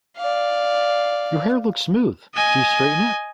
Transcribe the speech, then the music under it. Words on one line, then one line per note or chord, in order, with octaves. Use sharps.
Your hair looks smooth, do you straighten it?
D5 F5
D#5 G#5